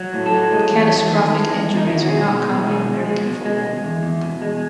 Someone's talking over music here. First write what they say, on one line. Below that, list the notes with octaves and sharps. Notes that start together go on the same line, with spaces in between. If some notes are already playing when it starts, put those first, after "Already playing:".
Catastrophic injuries are not common in American football.
Already playing: F#3
A2
A4
F#3
G#3
E2
E2
D#3
G#3
E2
E2
D#4
D#3 E4
F#4
B2 G#4
G#3
B2
G#3
B2
G#3
B2
G#3
G#3
E2
E2
B2
G#3